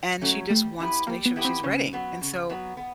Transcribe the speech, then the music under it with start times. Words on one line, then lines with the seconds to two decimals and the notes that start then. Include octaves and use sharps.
and she just wants to make sure that she's ready, and so
0.21 F#3 A3 C#4
0.50 G3 A3
0.78 B3 E4 G4 B4
1.07 G3 A#3
1.26 B3
1.36 B3 E4 G4 B4
1.45 C4
1.63 C#3 C#4
1.93 F#3 B3
2.21 C#3
2.50 F#3 B3
2.77 B3